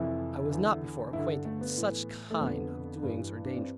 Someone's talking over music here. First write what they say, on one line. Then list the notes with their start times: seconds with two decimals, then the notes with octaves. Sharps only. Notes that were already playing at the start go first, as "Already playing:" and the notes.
I was not before acquainted with such kind of doings or dangers.
Already playing: F2 C3 E3 E4
0.50 E2 D3
1.13 G2 D3 E4
1.45 A3
1.61 B3
1.77 A2 E3
2.31 A3
2.40 F2 D3 B3
3.03 G2 E3
3.45 D4
3.56 C4